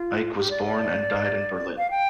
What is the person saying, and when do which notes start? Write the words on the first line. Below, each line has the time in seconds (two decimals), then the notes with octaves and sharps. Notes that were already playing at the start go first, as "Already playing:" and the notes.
Eicke was born and died in Berlin.
Already playing: F4
0.38 G4
0.51 D5
0.65 D5
1.78 F5
1.91 G5